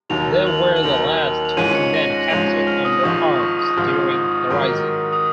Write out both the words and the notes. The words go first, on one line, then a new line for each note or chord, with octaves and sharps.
They were the last two men captured under arms during the Rising.
D#2 D#3 F#3 F7
F#7
F#7
D#2 D#3 F#3 F7
F7
G#2 F3 G#3 C#4 D#7
C#7
A#6
F#7
G#2 F3 G#3 C#4 F7
F6
D#6
G#1 G#2 F3 C#6
C#6
D#6
C#6
D#6
G#1 G#2 F3 F6
G#2 D#3 F#3
D#6